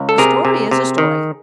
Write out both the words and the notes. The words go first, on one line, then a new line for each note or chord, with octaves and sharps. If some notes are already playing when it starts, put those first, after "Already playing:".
A story is a story.
Already playing: C#2
A4
C3 G#4 A#4
C3
C3
D#3